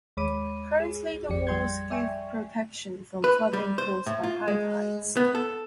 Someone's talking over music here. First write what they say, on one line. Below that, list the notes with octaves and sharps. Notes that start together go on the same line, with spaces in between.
Currently the walls give protection from flooding caused by high tides.
D#2 G#3 C#5 B5 D6 D#7
G#4
A1 F2 F3 G4 D5 C#7
F3 G3 G5 C6 G6 G#6
D5 E5 G5 G#5 C#6
B4
G3
C5
A2
F4
G#3
B3
A4